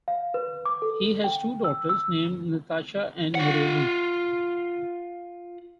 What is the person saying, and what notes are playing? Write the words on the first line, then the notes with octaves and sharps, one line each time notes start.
He has two daughters named Natasha and Marielle.
F5
B4
D6
A4
G5
E6
E6
F4 F#5